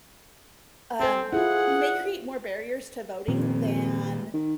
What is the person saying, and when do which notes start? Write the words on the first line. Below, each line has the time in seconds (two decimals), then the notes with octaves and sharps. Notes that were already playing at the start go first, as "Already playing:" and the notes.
um, may create more barriers to voting than
1.00 C4 A4 C5
1.33 E4 F4 G#4 F#5
3.28 F2 A#2 D#3 A#3
4.34 D#3